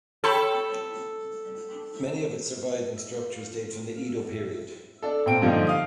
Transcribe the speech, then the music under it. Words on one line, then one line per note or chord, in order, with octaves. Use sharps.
Many of its surviving structures date from the Edo period.
A4 C#5 G5 B5
D4 A4
A#2 C4 D7
G2 D3 F3 A#3 D#4
F5 D#6